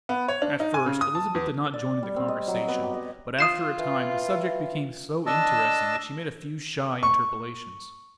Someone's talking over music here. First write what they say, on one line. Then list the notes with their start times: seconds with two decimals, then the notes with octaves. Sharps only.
At first Elizabeth did not join in the conversation, but after a time the subject became so interesting that she made a few shy interpolations.
0.09 B3
0.28 C#5
0.42 D4
0.60 D#4
0.74 G#5
0.86 C#3
1.01 D#6
1.15 A5
1.35 E2
1.74 D5
2.03 G3
2.16 C4
2.28 D#5
2.48 F#3
2.68 B3
2.83 G4
2.94 D#5
3.39 F4 D#6 C7 E7
3.79 E3
5.26 D4 D#5 A5 E6
7.03 C#6